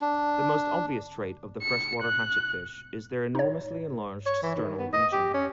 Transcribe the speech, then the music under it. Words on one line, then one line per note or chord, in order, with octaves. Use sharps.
The most obvious trait of the freshwater hatchetfish is their enormously enlarged sternal region.
D4
C#7
F#6
D#4 C#5
C#5
E3
D#3
B3
D#5
G4
C#4